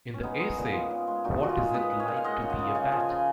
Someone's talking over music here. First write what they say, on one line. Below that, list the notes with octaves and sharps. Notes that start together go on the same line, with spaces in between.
In the essay What is it like to be a bat?
C#4
G#3 B3 D#4
G#3
A#2
G#3
A#2
G#3
A#2 D#4 F#4
A#2 F#4
F4 G#4
G#3
G#3 B4 D#5
G#3
C#5 F5
A#2
F5
G#3 D#5 F#5
C#3
D#5 F#5
C#3
C#3 F5 G#5
F3
F5 G#5
C#3